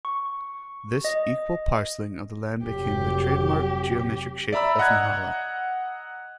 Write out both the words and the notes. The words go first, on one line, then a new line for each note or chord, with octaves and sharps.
This equal parceling of the land became the trademark geometric shape of Nahalal.
C#6
D#5
F1 F#3 G4
D5 E5 A#5 B5 E6
D#5 F#5 A#5 F#6 G#6